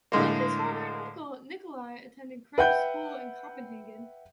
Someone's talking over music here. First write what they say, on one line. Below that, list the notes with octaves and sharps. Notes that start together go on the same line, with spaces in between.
Like his father and uncle, Nikolai attended Krebs School in Copenhagen.
A2 D3 G#3 A#3
B4 E5 F#5 G5 G6